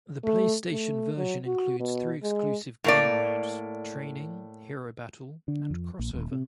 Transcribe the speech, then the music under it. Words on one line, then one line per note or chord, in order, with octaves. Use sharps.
The PlayStation version includes three exclusive game modes: Training, Hero Battle, and Cross Over.
A3
A3
F#3
F#4
B2
G#3
A2 A#3 D5
D3
F2
A#1
D#1
C3